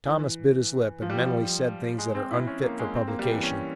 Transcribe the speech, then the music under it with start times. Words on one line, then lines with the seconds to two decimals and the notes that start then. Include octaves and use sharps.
Thomas bit his lip, and mentally said things that are unfit for publication.
0.06 E3
1.02 F3
1.10 G3
1.17 F3
1.98 G#3
2.15 C4
2.31 E4
2.47 C#4
2.63 A#3
2.79 G#3
2.95 C4
3.08 A#3
3.19 G3
3.31 E3
3.43 C#4